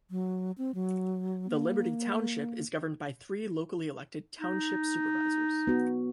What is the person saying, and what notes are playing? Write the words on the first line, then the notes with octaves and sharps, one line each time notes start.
The Liberty Township is governed by three locally elected Township Supervisors.
F#3
C4
F#3
A#3
D#4
B3 F#4